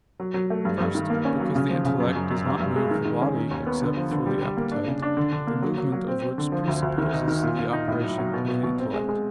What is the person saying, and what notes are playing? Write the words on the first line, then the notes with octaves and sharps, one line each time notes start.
First, because the intellect does not move the body except through the appetite, the movement of which presupposes the operation of the intellect.
F#3
F#3
A3
G2
G2
D#3
A#3
C#4
F#3
C#3
F3
C#3
F#2
F#2
F#2
G2
G2
G#3
D#3
D#3
C#4
D#3
D#2
B3
D3
F3
D3
G3
G3
A#3
D4
C#3
D4
D3
D3
A#3
F#3
F#3
F#3
C4
C4
D3
F3
D2
D2
D#3
D#4
D#3
A#2
A#2
D#4
A2
F#3
F#3
B2
B2
B2
C4
G#3
G#3